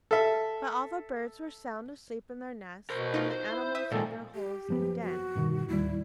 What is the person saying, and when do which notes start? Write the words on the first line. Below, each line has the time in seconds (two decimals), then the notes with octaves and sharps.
But all the birds were sound asleep in their nests and the animals in their holes and dens.
0.11 A4 E5
2.90 B2 A#4 C5
3.14 D#4 F4
3.30 C5
3.46 E4
3.75 E5 D#6
3.92 F2 A#2 D#3 G#3 A4
4.35 G4
4.68 F#1 F3 B3
5.02 F#4
5.35 G1 B2 D#3
5.68 D1 D#2 G3 E4